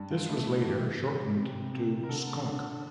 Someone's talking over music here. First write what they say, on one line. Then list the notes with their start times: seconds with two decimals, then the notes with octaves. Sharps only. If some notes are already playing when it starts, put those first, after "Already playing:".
This was later shortened to "Skonk".
Already playing: G2
0.11 F4
0.29 A3 E4
0.48 E4
0.65 E3 G4
1.02 G3
1.37 C3
1.74 C3
2.03 A#4
2.09 D3 A4
2.46 D3